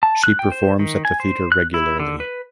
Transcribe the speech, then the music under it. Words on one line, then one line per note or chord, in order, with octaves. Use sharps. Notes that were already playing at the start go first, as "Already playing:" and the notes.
She performs at the theater regularly.
A5
F#6
G5
C5
D#3
G#5
C5
F#6
E4
D3
B4